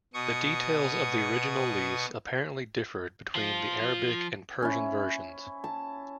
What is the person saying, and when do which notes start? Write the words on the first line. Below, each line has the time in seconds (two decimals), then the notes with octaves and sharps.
The details of the original lease apparently differed between the Arabic and Persian versions.
0.14 B2 C#6 D#6
3.35 F3 F4
4.62 C#4 E4
5.64 A5